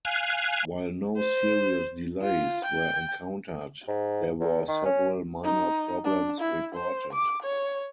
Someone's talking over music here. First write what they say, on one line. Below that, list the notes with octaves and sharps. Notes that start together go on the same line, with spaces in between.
While no serious delays were encountered, there were several minor problems reported.
F5 G#5 F#6
C5
F4
G5
G#2
E2
D#3
C#4
D#4
D4
E4
C5
D6
C#5